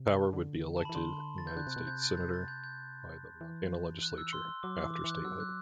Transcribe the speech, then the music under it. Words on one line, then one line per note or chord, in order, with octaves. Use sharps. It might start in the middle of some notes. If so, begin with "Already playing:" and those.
Power would be elected United States Senator by the Montana Legislature after statehood.
Already playing: C3
D3
A5
B5
E3
D3 C6
A6
G6
D3 F#6
C3 F#6
B2
C3 G6
A6
G6
A6
G6
G6
E3
F#6
E6
C6
F#3 D6
D6
E3
D6
E3
F#6
F#3 E6
F#6